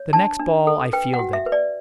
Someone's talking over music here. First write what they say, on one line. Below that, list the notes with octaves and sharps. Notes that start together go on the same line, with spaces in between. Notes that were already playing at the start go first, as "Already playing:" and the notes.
The next ball I fielded.
Already playing: C#5
D4 A5
D4
A4
B4 G5
F#5
F#4
E5
B4
D5